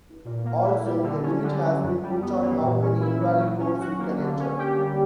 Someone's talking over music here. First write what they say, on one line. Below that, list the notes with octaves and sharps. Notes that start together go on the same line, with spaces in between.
Also, a limit has been put on how many invalid codes you can enter.
A#2
A#3
E4
G3
D3
C#4
D3
F#3
F#2
G3
B3
E3
A#2
C#4
E4
F#3
F#3
C#4
F#4
A#3
D3
C#4
G4
G3